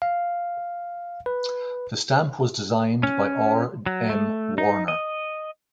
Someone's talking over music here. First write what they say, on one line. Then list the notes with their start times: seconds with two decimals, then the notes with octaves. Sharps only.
The stamp was designed by R. M. Warner.
0.02 F5
1.26 B4
3.03 C#4
3.86 F#3
4.10 A3
4.58 D#4
4.88 D#5